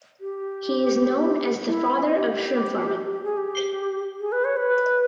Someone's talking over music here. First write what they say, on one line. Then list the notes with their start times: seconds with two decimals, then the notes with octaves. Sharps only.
He is known as the "Father of Shrimp Farming".
0.21 G4
1.66 E4
2.14 G4
3.12 G4
3.24 G#4
3.37 G4
4.20 G#4
4.32 B4
4.45 C#5
4.57 B4